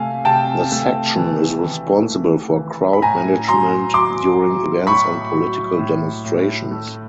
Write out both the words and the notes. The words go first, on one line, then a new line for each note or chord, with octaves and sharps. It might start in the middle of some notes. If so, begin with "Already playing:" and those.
The Section is responsible for crowd management during events and political demonstrations.
Already playing: C3 A3 F5 G#5
C3 G5 A5
A3
E3
E3
A3
E3
B5
A2 G#5 A#5
F#3 A#5 C6
F#3 C6 D6
F#3
A2 B5 C#6
F#3
A2
A2
A3